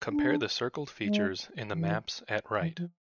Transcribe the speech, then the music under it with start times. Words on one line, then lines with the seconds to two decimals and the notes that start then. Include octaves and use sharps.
Compare the circled features in the maps at right.
0.09 D4
1.03 G#3
1.72 E3
2.60 E3
2.77 F3